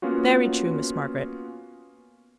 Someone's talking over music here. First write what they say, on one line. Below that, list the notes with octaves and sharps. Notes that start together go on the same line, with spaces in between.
'Very true, Miss Margaret.
A#3 B3 C#4 F4 F#4